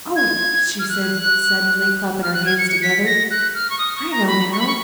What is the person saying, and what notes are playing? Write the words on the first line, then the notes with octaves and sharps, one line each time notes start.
"Oh!" she said suddenly, clapping her hands together; "I know now."
G#6
F6
F#6
F6
F#6
G#6
C#7
C#7
B6
A#6
F#6
F6
C#6
D#6
C#6
A#5
B5
C#6
B5
C#6